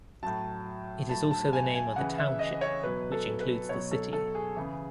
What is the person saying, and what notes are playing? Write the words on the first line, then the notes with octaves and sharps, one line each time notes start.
It is also the name of the township which includes the city.
A2 F#3 A5
A2 F#3 A5
A5
G#5
G#5
C#3 E3 F#5
E5
D#5
C#5
B2 F#3 B4
A4
B4
B2 F#3 C#5
A4
A4
G#4
C#3 E3